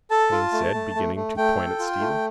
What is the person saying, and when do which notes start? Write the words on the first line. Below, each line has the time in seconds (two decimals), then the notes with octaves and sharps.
Haines said, beginning to point at Stephen.
0.11 A4 A5
0.32 F4
0.53 A3
0.74 A3
0.95 A3
1.16 A3
1.37 A3 G5
1.58 A4
1.79 F4
2.00 A3